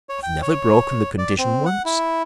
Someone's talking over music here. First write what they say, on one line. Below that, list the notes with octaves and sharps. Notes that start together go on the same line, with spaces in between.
I have never broken the condition once.
C#5
G5
C#5
D5
C4
F#5
E4